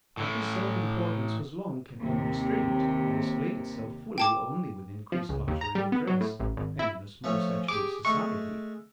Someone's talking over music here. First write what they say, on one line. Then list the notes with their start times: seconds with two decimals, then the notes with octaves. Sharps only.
But this self-importance was long kept in restraint, and displayed itself fully only with increased luxury of dress and in a small section of society.
0.17 A2 E3
1.99 D#2 C3
4.18 G5 A5 D6
5.12 F3
5.29 C#2
5.48 D#2
5.61 A#5
5.75 G3
5.92 B3
6.07 F#3
6.21 A2
6.40 A1
6.57 G#1
6.79 E4
7.24 F3 A3 C#4
7.68 G4 G#4 D6
8.05 G#3 A3 C#6